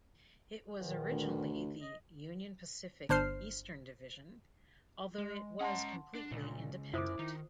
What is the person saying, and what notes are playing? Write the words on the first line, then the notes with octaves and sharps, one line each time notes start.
It was originally the "Union Pacific, Eastern Division", although it was completely independent.
E2 A#2 D#3
D2
D#5
G1 D4 C5 F6 C7
G#3
C#4 F#5 A5 A#5 C6
D4
C#2 A#2
F#2 E4 F4 C5 D6 D#6
D#3 D#4